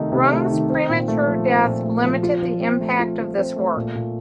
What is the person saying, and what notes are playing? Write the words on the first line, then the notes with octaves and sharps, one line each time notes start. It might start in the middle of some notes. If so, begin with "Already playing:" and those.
Runge's premature death limited the impact of this work.
Already playing: C3 D#3 A3 D#4
C3
A3
D#3
C4
A#2
A3
F3
C4
A#2
A3
F3
F4
F3
C4
A3
F4
F3
C4
A3
A#2
A#2